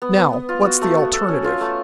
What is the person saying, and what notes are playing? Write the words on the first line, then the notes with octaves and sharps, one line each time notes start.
"Now, what's the alternative?"
B3
B3
B3
F4
F#4
A3
F#4
A4
C#4
F4
A3